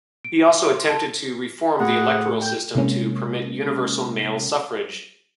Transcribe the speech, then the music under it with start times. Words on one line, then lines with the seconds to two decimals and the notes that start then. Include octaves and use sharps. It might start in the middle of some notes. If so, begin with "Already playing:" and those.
He also attempted to reform the electoral system to permit universal male suffrage.
0.24 D7
0.48 E5
0.75 C6
0.89 A5
1.79 A2 F#4 G#4 F#5
2.41 G5 G6
2.75 C3 G#3 A#3 C#4